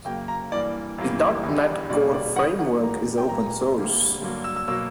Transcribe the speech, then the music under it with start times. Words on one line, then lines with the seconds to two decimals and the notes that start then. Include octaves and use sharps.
The dot net core framework is open source.
0.05 F#2 C#3 F#3 A#3 G5
0.28 A#5
0.52 G2 E3 A#3 D5
0.98 F#2 E3 G3 A#3
1.44 E2 D3 G3
1.90 B2 G3 A#3 D5
2.13 D5
2.36 G2 E3 A#3 F#5
2.59 F#5
2.83 G2 E3 G3 A#3 A#5
3.18 G5
3.29 A#2 G3 A#3 A#5
3.75 G2 D3 G3 A#3
4.22 G2 D3 F#3 A#3
4.44 E6
4.56 E6
4.68 B2 F#3 A#3 E6